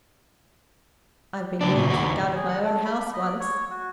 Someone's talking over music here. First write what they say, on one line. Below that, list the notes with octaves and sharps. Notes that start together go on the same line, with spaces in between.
I've been nearly kicked out of my own house once.
C#2 D4
A#2 C#3
D#2 F#4
G#4
F#5
A3
B5
B5
D#5
D5
C#5
F#4